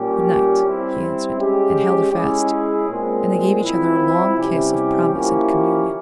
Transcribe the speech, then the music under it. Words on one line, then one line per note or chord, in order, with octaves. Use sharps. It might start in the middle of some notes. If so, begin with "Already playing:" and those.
"Good night," he answered, and held her fast; and they gave each other a long kiss of promise and communion.
Already playing: A#2 G3 C#4 G4
G3 C4 E4
G#3 C#4 G4
G#3 C#4 E4 G#4
A#2 G#3 C4
F3 C4 E4
C3 G3 C#4 E4 G4
F3 A#3 C#4 E4 G4